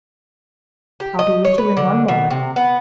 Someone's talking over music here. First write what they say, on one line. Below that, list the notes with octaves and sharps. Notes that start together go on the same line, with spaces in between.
I'll be with you in one moment.
G4
D#5
C#5
B4
D3
B2
C3
B3